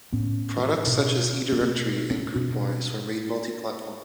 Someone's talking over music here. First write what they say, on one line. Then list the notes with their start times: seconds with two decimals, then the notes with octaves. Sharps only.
Products such as eDirectory and GroupWise were made multi-platform.
0.13 A2 B3 C#4
0.87 B2
1.52 B3
1.61 B2 A#3 C4
2.11 B3 C#4
2.35 B2 C4 D4